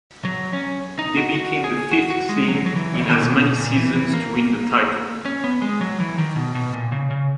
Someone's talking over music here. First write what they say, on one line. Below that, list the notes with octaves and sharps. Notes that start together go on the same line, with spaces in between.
They became the fifth team in as many seasons to win the title.
F#3
C#4
D#4
F#4
F#4
G#4
F#4
F#4
G#3
F#3
F#3
E3
D#3
B2
B2
A#2
E3
E3
A#3
C#4
B3
G#3
F#3
E3
D#3
B2
B2
A#2
C#3
C#3